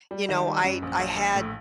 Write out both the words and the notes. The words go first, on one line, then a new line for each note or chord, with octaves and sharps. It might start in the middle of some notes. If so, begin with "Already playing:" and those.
you know, I I had
G3
D#3
G3
F#2
A#1
A#1
A#1
A2